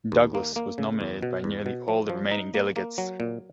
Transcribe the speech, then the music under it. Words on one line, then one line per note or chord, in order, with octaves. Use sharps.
Douglas was nominated by nearly all the remaining delegates.
D#2
A#3
A#3
C#3
E2
B2
E2
B2
F3
F3
D#4
A#3
A#3
F#3
A#2